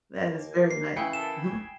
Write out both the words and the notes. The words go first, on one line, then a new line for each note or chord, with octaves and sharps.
That is very nice mhm.
D#2 A#3
C7
C#3 E3 E4 G5 B5 C#7
A3 A#3 A4 E7
G#5